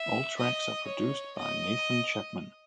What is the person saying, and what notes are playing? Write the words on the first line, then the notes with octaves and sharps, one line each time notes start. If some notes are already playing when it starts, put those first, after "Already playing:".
All tracks are produced by Nathan Chapman.
Already playing: E5
D#5
C#5
D#5